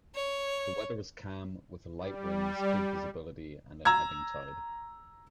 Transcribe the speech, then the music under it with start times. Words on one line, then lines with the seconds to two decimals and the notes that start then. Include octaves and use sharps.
The weather was calm with light winds, good visibility, and an ebbing tide.
0.15 C#5
1.98 G3
3.85 A#5 E6 G#6